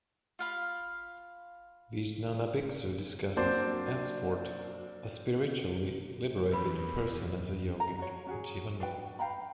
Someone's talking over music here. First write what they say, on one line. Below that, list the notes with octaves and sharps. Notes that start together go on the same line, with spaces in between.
Vijnanabhiksu discusses, adds Fort, a spiritually liberated person as a yogic jivanmukta.
F4 F5 B5
F#3 A#3 C4 D4 C5 D5
E2 B4 B5
A#5
F#4 C#5
C#4 F#4 G#4
D4 F#4 B4 G5
F5 G5 A#5 B5